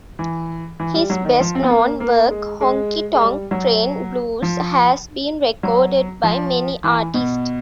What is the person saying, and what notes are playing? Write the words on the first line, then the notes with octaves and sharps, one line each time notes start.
His best-known work, "Honky Tonk Train Blues", has been recorded by many artists.
E3
E3
G3
F#3
D#3
F3
C4
B3
A#3
A#3
G#3
G#3
G#3
G3
F#3
F3
F#3
F3
E3
B2